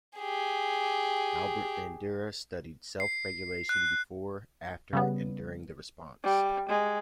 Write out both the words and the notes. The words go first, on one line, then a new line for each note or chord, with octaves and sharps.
Albert Bandura studied self-regulation before, after and during the response.
G4 G#4
C7
F#6
C#3 G3 B3
G3
G#3